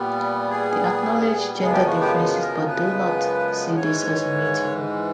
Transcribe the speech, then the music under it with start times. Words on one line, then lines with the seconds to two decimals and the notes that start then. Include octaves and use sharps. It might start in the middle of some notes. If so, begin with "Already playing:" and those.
They acknowledge gender differences but do not see these as immutable.
Already playing: A#2 G3 B3
0.50 G#4
1.59 F#2 C#3 F3 G#3 B3 G#4
1.73 G4
1.87 F#4
2.00 G4
2.40 A#4
2.68 B4
3.75 G#2 E3 G#3 C#5